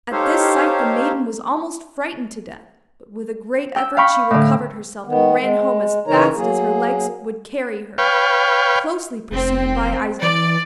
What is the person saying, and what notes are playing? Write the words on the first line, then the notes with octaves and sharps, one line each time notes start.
At this sight the maiden was almost frightened to death, but with a great effort she recovered herself and ran home as fast as her legs would carry her, closely pursued by Eisenkopf.
D#4 G4 A4 C5 C#5 F5
G5 E6
F5 G5 B5 C#6
A2 D3
D#3 B3
G#3
C#3 E3 D#4 A#4 C#5 A#5
F#3 A#3 G#4
B4 C#5 F5 G5
F1 C4
E3 D5